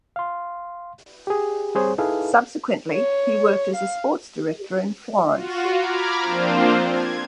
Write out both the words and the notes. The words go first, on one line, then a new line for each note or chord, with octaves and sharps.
Subsequently he worked as a sports director in Florence.
F5 C6
G4 G#4
G3 C4 G#4 C5 C#5
D#4 E4 G#4 A4 B4 F5
C#5
F5
F4 F#4
A#5 B5 D6 F6 G#6
F3 A#3 C4 D4 F4 C5
G#6